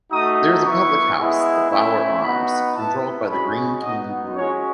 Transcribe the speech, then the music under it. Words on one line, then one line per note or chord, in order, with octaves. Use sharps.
There is a public house, the Bowyer Arms, controlled by Greene King Brewery.
A3 D#4 F#4 D#6
B3 E4 C#6
G#3 B3 E4
A3 C#4 E4
B3 D#4 F#4 B5
B3 E4 A5
G#3 C#4 F#4 B5
B3 D#4 F#4 D#5
G#3 C#4 F#4 C#5